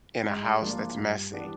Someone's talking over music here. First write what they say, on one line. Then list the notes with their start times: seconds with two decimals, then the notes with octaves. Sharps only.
in a house that's messy,
0.25 G#2 G#3
0.61 F3 A#3 D4 F4
0.97 G2
1.33 E3 G3 B3 D4